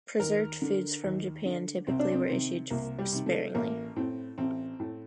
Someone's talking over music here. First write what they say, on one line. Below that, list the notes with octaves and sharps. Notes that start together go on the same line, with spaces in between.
Preserved foods from Japan typically were issued sparingly.
D#2 A#4
D3
D#2
D3
C2 C4
D4
C4
C3 D#3
C2 A#3
G3
C3 D#3
A3
A1 A#3
A2 C4
A1 C4
A2